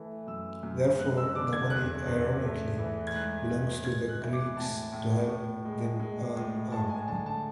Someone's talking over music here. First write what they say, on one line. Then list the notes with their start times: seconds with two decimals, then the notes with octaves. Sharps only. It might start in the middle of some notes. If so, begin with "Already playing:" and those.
Therefore the money ironically belongs to the Greeks to help them arm up.
Already playing: E3 A3
0.27 F#2 E6
0.63 F#2
0.98 G#3 F#6
1.17 E6
1.35 D3 D6
1.53 G#6
1.70 E2 F#6
2.07 E2
2.42 A3
2.78 E3
3.07 G#6
3.14 G#2 F#6
3.49 G#2
3.85 G#3 G#6
4.09 F#6
4.21 E3
4.33 D6
4.57 A2 A5
4.92 A2
5.29 A2
5.65 G#3
6.00 G#3
6.36 A2
6.72 G#3 A5
6.89 G#5
7.08 D3 A5
7.26 A5